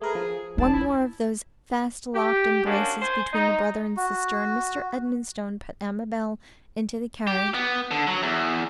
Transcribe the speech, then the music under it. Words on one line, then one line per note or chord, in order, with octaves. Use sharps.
One more of those fast-locked embraces between the brother and sister, and Mr. Edmonstone put Amabel into the carriage.
A3 G#4 A#4 B4
F3
D#4 G#4 D5 A5
E4
G4
F#2 A#3 C#4 D4
C5 G#5
D#4
F#4
G4
B3
D3
F#3
E2